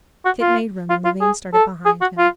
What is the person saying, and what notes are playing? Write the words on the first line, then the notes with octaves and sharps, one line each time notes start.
Tit made room, and Levin started behind him.
F#4
F4
F4
F4
G#4
A4
G#4
F#4
F4